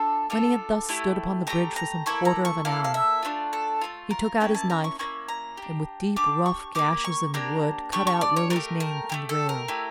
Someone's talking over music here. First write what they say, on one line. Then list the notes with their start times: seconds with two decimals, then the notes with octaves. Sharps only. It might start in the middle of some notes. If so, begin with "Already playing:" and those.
When he had thus stood upon the bridge for some quarter of an hour, he took out his knife, and, with deep, rough gashes in the wood, cut out Lily's name from the rail.
Already playing: D4 F4 A4
0.30 D4 F4 A4
0.89 A3 E4 G4
1.47 A3 E4 G4 A#5
1.76 A#5
2.06 A#3 E4 A4 C#6
2.25 A#5
2.45 C#6
2.65 A#3 E4 A4 F5
2.84 F5
2.94 E5
3.23 A3 D4 F4
3.53 A4
3.81 A3 D4 F4
4.10 A#4
4.40 A#3 C#4 E4 G5
4.54 A5
4.70 A#5
4.84 C#6
4.99 A#3 C#4 E4 C#6
5.28 A#5
5.57 D4 G4
6.16 D4 G4 D6
6.46 C#6
6.75 A#3 D4 G4 D6
7.04 C#6
7.34 A#3 D4 G4 A#5
7.92 A3 D4 G4 C#6
8.07 C#6
8.21 D5
8.36 C#5
8.50 A3 D4 A#4
8.56 G4
8.80 A#4
9.09 A3 E4 G4
9.29 A4
9.49 A#4
9.68 A3 E4 G4